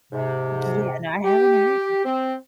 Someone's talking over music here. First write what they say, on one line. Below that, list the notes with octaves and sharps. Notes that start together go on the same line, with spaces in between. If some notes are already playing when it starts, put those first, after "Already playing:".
Yeah. No, I haven't heard
G#2 C3
G4
C4